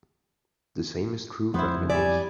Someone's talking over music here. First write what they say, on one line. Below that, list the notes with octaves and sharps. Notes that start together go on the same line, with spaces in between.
The same is true for animals.
F2 B3 E4 C5
G3 D5 E5 G#5